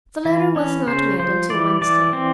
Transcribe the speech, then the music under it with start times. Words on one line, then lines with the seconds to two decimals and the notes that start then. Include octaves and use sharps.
The letter was not mailed until Wednesday.
0.25 E3
0.56 C#4
0.87 C#3 C5
1.20 F3 C5
1.50 E3 D5
1.81 E3 D5
2.13 C4